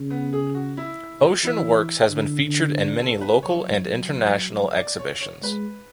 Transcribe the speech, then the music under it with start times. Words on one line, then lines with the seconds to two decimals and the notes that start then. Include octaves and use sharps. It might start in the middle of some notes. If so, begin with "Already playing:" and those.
Oshun works has been featured in many local and international exhibitions.
Already playing: C#3
0.10 B3
0.33 G#4
0.55 F#4
0.77 E4
1.43 E3 E4
2.10 D3
2.77 D4
2.99 A4
3.21 B4
3.43 F#3 C#5
4.76 D5
4.99 C#5
5.21 C#5
5.43 G#3 B4